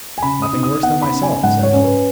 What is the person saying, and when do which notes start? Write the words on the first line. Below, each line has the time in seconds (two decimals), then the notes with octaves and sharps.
"Nothing worse than myself," said Billy.
0.18 G#5
0.22 C#3 B5
0.42 D#6
0.53 D#4
0.63 D#6
0.83 B3 F#5
1.03 B5
1.13 C#3
1.23 G#5
1.43 G#2 F#5
1.63 C#5
1.73 C#4
1.84 B4